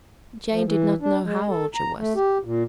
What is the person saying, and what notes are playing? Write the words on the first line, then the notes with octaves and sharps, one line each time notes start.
Jane did not know how old she was.
F3
E3
D4
G#3
A4
A#5
A3
G4
A#2